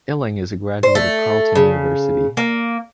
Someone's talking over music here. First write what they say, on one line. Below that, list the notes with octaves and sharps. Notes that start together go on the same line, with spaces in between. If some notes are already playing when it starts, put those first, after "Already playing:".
Illing is a graduate of Carleton University.
C5
A3
C#3
A#3